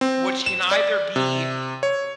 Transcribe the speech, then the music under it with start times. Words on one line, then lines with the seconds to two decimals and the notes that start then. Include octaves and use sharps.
which can either be
0.01 C4
0.46 E7
0.71 D5
1.16 C3
1.83 C#5